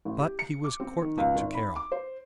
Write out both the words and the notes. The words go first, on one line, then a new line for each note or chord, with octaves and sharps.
But he was courtly to Carol.
A1
G4
C#7
D6
C4
D#3
C#2
G#1
B5
D6
C5